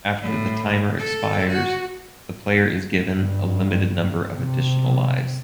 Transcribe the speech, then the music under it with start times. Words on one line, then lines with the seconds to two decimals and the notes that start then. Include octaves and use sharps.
After the timer expires, the player is given a limited number of additional lives.
0.21 A2
0.99 A4
1.48 F#4
3.14 G2
4.35 C3